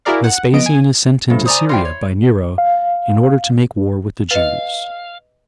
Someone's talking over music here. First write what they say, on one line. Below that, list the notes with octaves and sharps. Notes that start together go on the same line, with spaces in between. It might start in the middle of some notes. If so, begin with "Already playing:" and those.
Vespasian Is Sent Into Syria By Nero In Order To Make War With The Jews.
E4 F#4 G#4 A#4 D5 F5
F#5
F3 B3 D#5 D7
G#5
G2 C#3 F3 A3
C5 D5 G#5 A#5 D#6
E3 F4 G5 C6
C#5
F5
B4 D#5 F5